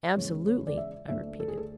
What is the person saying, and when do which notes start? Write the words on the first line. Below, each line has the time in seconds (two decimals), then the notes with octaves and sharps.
"Absolutely!" I repeated.
0.16 E2 C#3 G#3 C#5
0.47 C#5
0.67 D5
0.77 E5
1.08 D2 D3 A3 D4 E5
1.40 A4
1.48 G#4
1.58 A4